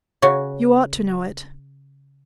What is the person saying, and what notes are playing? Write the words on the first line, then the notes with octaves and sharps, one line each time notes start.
You ought to know it.
C#3 C#4 F#4